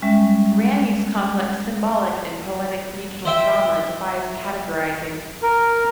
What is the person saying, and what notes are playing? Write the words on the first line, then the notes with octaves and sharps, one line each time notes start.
Reaney's complex symbolic and poetic regional drama defies categorizing.
G3 G#3 C#4 E5
C5 E5 G5
A#4